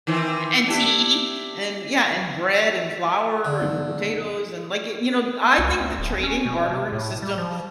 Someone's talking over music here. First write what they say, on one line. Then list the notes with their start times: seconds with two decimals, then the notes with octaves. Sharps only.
and tea, and yeah, and bread and flour and potatoes and like, it you know, I think the trading, bartering system
0.07 D#3 E3 C4
0.66 D4 E4 G4
3.45 D3
3.61 B1 G#2
5.58 C2
5.70 D2
5.99 D1
6.23 C#4
6.45 B2
6.70 C3
6.92 A2
7.22 G3
7.38 F3